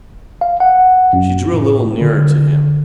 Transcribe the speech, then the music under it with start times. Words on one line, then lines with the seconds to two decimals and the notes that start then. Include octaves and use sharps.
She drew a little nearer to him.
0.41 F5
0.60 F#5
1.13 F#2
1.53 A2
2.01 D3